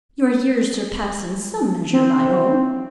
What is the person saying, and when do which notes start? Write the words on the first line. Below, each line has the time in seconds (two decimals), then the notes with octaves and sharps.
Your years surpass in some measure my own.
1.93 C4